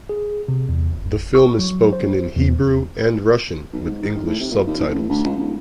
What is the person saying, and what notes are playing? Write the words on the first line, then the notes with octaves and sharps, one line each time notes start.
The film is spoken in Hebrew and Russian with English subtitles.
G#4
C3
E2
G1
C#6
F#3
C5
E2
B1
G#2
D#3
A2
C3
A#2
D#2
F#1
A1
D2
C#2
D1